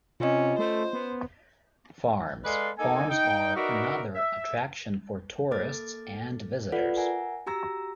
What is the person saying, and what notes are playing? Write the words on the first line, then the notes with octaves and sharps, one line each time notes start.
Farms : Farms are another attraction for tourists and visitors.
C3 C#4 F4 D#5
A3 C5
B3
G#3 A4 B4 D5 F5 C6
A#3 D#4 A4 G#5
D#4 G5
D#4 F#4 A#4 B4 D5 E5
E5
A#3 A4 D6 F6 A6
F4 A4 B4 D5 E5 F#5
A#4 E5 F#5 G#5 A#5
F#4 G4 A#5 E6 A#6